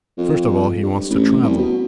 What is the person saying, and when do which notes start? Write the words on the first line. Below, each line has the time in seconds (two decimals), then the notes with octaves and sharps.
First of all he wants to travel.
0.18 F2
0.83 G2
1.10 A1
1.43 C2
1.57 B2